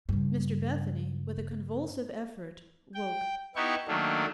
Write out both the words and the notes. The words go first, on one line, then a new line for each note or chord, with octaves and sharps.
Mr Bethany, with a convulsive effort, woke.
G2 C#3
G5
B3 D#4 E4 G4 C#6
D#3 F#3 A3 A#3 D4